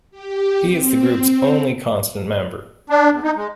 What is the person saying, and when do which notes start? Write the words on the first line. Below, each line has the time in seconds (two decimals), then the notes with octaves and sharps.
He is the group's only constant member.
0.11 G4
0.63 C4
2.90 D4
3.12 E2
3.23 D#4
3.36 G#3